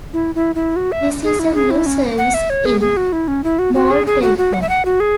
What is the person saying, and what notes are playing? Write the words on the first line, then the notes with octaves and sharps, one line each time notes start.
This is a new service in Moldtelecom.
E4
E4
E4
F#4
E5
G#4
E4
G#4
E4
C#4
F#5
E5
C#5
G#4
G#4
F#4
E4
C#4
E4
F#4
F#4
G#4
G#4
F#4
F#4
F#5
E5
F#5
F#4
G#4